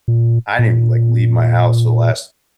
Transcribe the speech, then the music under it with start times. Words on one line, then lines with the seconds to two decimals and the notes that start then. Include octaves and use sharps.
I didn't even, like, leave my house for the last.
0.08 A#2
0.59 A#2